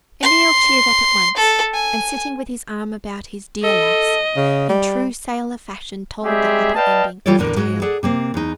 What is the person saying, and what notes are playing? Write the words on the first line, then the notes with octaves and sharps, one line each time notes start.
Emil cheered up at once, and sitting with his arm about his 'dear lass', in true sailor fashion told the happy ending of the tale.
C6
A4
G#5
A4 D#5
C#3
G3
G3 G#3 C4 G4 G#4 E5
B4 D5 D#5 F5 G5 A5
E3 G3 F4 A4 C#5 D5
E2 A2 D3 A#4
G#2 G#3 F#4
G#4 A4 D5 F#5
C3 A#3 C4
E2 D#4